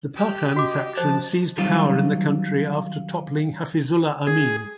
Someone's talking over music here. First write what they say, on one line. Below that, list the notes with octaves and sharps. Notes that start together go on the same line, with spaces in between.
The Parcham faction seized power in the country after toppling Hafizullah Amin.
G4
F#4 D#5 D6
F3 C5 A5
D#3 F#3 G3 C4 F4
G#4